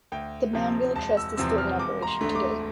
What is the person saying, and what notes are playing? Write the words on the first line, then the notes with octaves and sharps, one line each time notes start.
The Manville Trust is still in operation today.
D2 G5
C3 F3 C4
E1 A5
E6
E2 C3 F3 C4 E6
F6
E1 D6
A#5
C6
D2 D3 A3
C6
D6